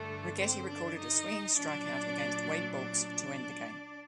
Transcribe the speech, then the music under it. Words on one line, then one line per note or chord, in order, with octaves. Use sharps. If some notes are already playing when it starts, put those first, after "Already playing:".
Righetti recorded a swinging strikeout against Wade Boggs to end the game.
Already playing: G2 D3 A3 A4
C4 C5
D4 D5
D#4 D#5
A#2 F#3 D4 D5
D4 D5